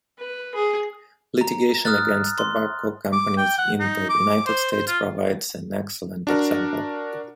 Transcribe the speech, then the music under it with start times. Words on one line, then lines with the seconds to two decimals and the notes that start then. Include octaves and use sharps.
Litigation against tobacco companies in the United States provides an excellent example.
0.19 B4
0.55 G#4
1.41 A#5
1.85 D#6 F6 F#6 A6
2.38 C6
3.12 D6
3.37 G5
3.58 F#5
3.80 D#4
4.09 D6
4.46 C5
4.72 C5
4.87 F4
6.27 D4 F#4 A#4